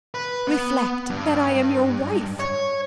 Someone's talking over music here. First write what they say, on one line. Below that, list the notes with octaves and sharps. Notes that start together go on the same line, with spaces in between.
"Reflect that I am your wife!"
B4
B3
G2
C#5